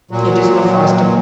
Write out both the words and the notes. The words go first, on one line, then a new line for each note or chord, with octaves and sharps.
It is now faster.
A#2 F#3